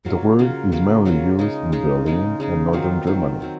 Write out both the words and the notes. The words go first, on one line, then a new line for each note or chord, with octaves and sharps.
The word is mainly used in Berlin and northern Germany.
C#3 F#3 A#3 F4
C#3 F#3 A#3 F4
C#3 F#3 A#3 F4
C#3 F#3 A#3 F4
C#3 G#3 D#4
C#3 G#3 D#4
C#3 G#3 D#4
C#3 G#3 D#4
D#3 F#3 C4 F4
D#3 F#3 C4 F4
D#3 F#3 C4